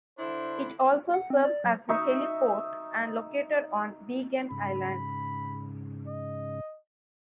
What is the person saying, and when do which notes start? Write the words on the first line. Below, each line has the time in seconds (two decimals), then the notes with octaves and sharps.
It also serves as a heliport and located on Beigan Island.
0.19 D3 D4 E4 C5
1.14 F#5
1.30 C4
1.45 D5
1.64 F#3
1.89 D#4 E5 C#6
4.51 G#2 C#3 B5
6.07 D#5